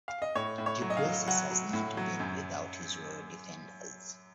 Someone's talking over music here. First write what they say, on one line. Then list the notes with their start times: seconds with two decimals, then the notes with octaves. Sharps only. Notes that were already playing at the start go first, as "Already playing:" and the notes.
Duplessis has not been without his loyal defenders.
0.08 F5
0.22 D#5
0.35 A2 C#5
0.58 A2
0.66 C#5
0.82 F#3
0.90 D#5
0.97 F5
1.05 F#3
1.27 F#3 F#5
1.51 F#3
1.73 A2
1.97 F#3
2.20 F#2